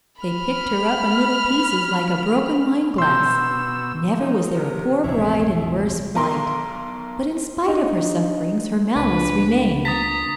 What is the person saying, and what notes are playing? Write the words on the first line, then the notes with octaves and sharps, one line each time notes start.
They picked her up in little pieces, like a broken wineglass; never was there a poor bride in worse plight. But in spite of her sufferings her malice remained.
B5 F6
B2 C6 E6 G6
D#4
C3 A#4
A#1 E2 C3 C4 E4 C#5
B1 A#4 C6
D4 D#4 F#4
C#2 A#2 D4 B4
A#5 D#6 A6 B6